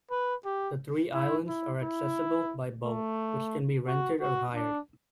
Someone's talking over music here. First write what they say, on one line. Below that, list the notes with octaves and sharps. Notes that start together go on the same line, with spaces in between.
The three islands are accessible by boat, which can be rented or hired.
B4
G4
E4
E4
E4
A3
F#4
F#4
D4